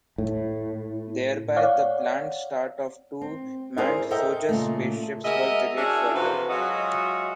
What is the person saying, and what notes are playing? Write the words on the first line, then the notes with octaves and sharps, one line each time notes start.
Thereby, the planned start of two manned Sojus spaceships was delayed further.
A2
C#5 D5 F5 F#5
C4
E4 G#4 A#4 C5 D5
A4 A#4 D#5 E5 G5
A#2 C#3 A3
G#3 F#4 A#4 D#5 E5
C#4 D4 E4 F#4 G#4
F2 C3 E3 F3 F#4 B4
F#3 G#3 F4 F#4 D#5 E5